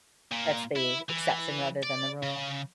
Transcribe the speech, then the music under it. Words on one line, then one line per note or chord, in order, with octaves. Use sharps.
that's the exception rather than the rule.
A#2
E4
E3
D5
C#3